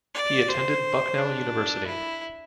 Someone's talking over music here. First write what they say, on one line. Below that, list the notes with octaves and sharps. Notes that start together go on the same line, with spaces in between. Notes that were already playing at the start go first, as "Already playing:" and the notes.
He attended Bucknell University.
D5
C5
D4
E4